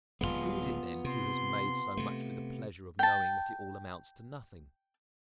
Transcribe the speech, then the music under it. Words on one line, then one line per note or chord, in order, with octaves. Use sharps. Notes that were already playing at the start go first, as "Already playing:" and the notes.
Who is it then who has made so much for the pleasure of knowing that it all amounts to nothing!
D1 E2 G#3 B3 F4
C3 C6
C3 A3
G5 A5